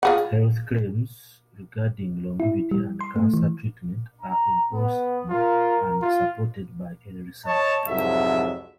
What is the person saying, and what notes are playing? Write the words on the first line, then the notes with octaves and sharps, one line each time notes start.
Health claims regarding longevity and cancer treatment are implausible and unsupported by any research.
F4 G#4 F#5
E4
G3
C6
A3
E3
A#5
B3
F4 A#4
F4
C#5 D#5 A5
C2 F2 G#2 F#3 E5